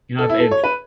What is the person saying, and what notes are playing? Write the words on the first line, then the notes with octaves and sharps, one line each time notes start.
You know, if if
A4
E4
A4
C#5
B4